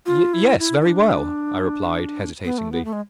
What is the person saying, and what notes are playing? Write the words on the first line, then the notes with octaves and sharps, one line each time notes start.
'Yes, very well,' I replied, hesitatingly.
F4
E4
E4
E4
D4
B3
A3
B3
A3
G#3